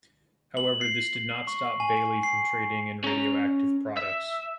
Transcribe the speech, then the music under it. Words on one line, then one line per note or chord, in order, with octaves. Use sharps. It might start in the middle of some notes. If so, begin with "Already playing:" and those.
However this did not stop Bailey from trading in radioactive products.
F#7
C7
C#6
G#5
C7
C#4 A#5
E5